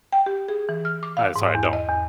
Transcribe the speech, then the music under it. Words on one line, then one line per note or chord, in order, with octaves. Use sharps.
Alright, sorry, I don't.
G5
G4
G#4
E3
F6
D6
F5
G#2
E2
D#5
E2